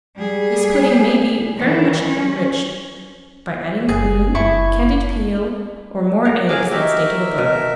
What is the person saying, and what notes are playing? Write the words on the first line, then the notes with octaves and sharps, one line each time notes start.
This pudding may be very much enriched by adding cream, candied peel, or more eggs than stated above.
G3 G#4
D#3 E3
C#4
F#1 G#4
F#1 E4 A5 C#6
A#4
F#3 G#4 A#4 D6
D#4 F#4 G4 A#4 E5
B2